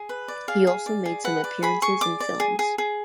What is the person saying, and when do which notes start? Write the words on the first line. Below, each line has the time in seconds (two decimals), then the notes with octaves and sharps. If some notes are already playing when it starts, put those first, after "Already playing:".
He also made some appearances in films.
Already playing: G#4
0.09 B4
0.28 D5
0.48 G#4 F5
0.67 G#4
0.86 D5
1.06 G#4
1.24 B4 F#5
1.44 D5
1.63 G#4 B5
1.82 G#4 C#6
2.01 D5 D6
2.20 D5
2.40 G#4
2.59 G#4
2.78 G#4